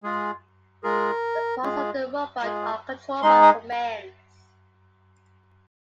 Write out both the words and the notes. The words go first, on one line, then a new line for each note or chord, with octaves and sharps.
The parts of the robot are controlled by commands.
G#3 F4 G#4
G#3 F4 G#4 A#4
G#3 F4 G#4
G#3 F4 G#4
G#3 D#4 G#4 C6
D#6